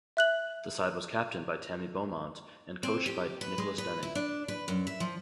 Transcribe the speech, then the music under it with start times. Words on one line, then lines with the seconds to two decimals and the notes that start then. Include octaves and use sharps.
The side was captained by Tammy Beaumont and coached by Nicholas Denning.
0.17 E5 F#6 F#7
2.83 C4
3.06 G4
3.41 B4
3.58 G#3
3.78 B4
4.03 E4
4.15 D4
4.48 B4
4.68 F#2
4.87 E5
5.00 F3